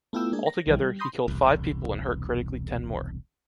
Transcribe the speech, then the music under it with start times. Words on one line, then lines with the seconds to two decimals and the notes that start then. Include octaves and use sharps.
Altogether, he killed five people and hurt critically ten more.
0.13 A3 B3 E4 F4 G5 E6
0.32 G#3 A#3 D4 G#4
0.46 A#6
0.67 B1 D#3 E3 G3
0.82 G3
0.99 B5 C6 D#6 G6 A#6
1.28 E1 C2